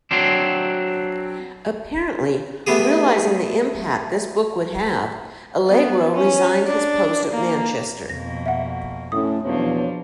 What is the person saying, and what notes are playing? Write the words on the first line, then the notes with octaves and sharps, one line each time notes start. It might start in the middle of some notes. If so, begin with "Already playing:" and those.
Apparently realising the impact this book would have, Allegro resigned his post at Manchester.
F#3 C4 D4
A3 B3 G4 G#4
B3
C#4
D4
A#3
F2 B2 A#3 A#6
E5 F#5
A2 C#4 D#6
E2 B2 F3 A#3 D4 C#5